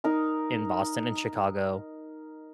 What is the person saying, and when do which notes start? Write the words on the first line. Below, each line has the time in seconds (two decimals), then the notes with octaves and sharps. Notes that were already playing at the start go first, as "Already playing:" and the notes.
in Boston and Chicago,
0.04 D#4 A#4 D#5